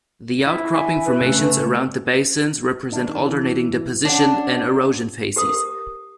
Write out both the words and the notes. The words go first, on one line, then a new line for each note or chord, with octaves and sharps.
The outcropping formations around the basins represent alternating deposition and erosion phases.
E4
G#5
B4
C#3 A3
D#3 D4
E3
C#4 D4 F#5
G4 A#4 D#6